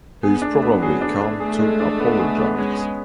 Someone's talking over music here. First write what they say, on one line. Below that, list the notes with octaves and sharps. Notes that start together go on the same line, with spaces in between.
He's probably come to apologise.
B3 G#4
D4
A3
B3
F#3 G#4
D4
A3
D4
A3 G#4
G#3
D4
B3
G#4
B3
G#3 C#4
G#4